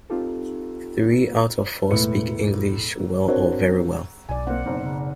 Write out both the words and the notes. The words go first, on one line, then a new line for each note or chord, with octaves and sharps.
Three out of four speak English well or very well.
C4 D#4 F4 G4 A4
E1 A2 B4 C#7
C4 D4 F#4 A#4 C#5
B1 B2 D5 G#5
A#3 C4 F#5
F#1 B3 C4 D#4
C#3